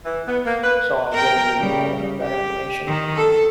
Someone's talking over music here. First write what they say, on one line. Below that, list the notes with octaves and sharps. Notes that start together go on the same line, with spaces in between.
so, I wouldn't really know that information.
E3
B3
A#3
B4
A#4 G5
C#3 G3
G4
D#3
A4